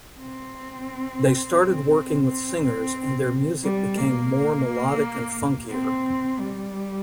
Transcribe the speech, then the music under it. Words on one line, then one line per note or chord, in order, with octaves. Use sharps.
They started working with singers and their music became more melodic and funkier.
C4
C4
G3
A#3
C4
G3